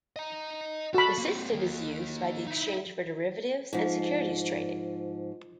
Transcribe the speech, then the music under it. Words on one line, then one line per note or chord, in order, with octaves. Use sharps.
The system is used by the exchange for derivatives and securities trading.
D#5 A#5
F#4 A4 B5
A#3 C4
D#3 A#3
D#4 E4
G#2 F3